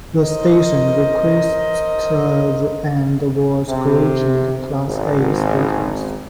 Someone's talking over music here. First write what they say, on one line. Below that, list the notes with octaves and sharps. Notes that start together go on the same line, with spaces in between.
The station requested and was granted Class A status.
A#4 C5 D#5
C3
G#1